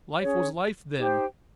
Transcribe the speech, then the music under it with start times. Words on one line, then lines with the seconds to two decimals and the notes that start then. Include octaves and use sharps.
Life was life then!
0.21 C#4 G#4 C#5
0.97 D#4 G4 C5 G5